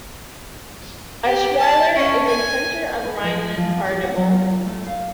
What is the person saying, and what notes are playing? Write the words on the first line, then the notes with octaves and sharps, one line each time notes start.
Eschweiler is a center of Rhineland carnival.
G4
A5
C#4
G#5
B4
F3
F3
G4
F#5
F#3
F4
A3
F5